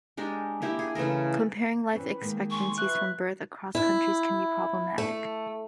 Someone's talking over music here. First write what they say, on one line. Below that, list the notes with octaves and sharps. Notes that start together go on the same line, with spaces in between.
Comparing life expectancies from birth across countries can be problematic.
G#3 D4 G4 A#4
A#3 E4 G4
G#4
C#3 E3 A3 A#4
E3 C4 C#4 B4
D#3 G#3 A#3
G#5 C6 C#6
F4 B4 E5 F#6
E4
A3